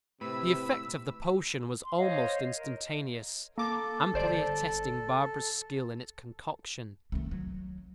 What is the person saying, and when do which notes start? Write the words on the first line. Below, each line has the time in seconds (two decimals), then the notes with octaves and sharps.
The effect of the potion was almost instantaneous, amply attesting Barbara's skill in its concoction.
0.21 A2 C3 B4 E6
1.84 C6
1.97 C5 C#5 D#5 F5
2.51 A#4 D#5
3.58 A#3 A4 D6
4.14 G1 C5 D5
7.12 D#3 A3
7.31 F#3